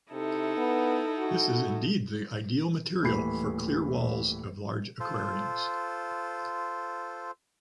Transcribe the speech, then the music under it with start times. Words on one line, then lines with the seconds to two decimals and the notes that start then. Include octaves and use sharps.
This is indeed the ideal material for clear walls of large aquariums.
0.12 C3 D#4 E4 A4
0.57 B3
1.18 F#4
3.02 D#1 A2 E3 B5 C7
5.00 F4 A4 C5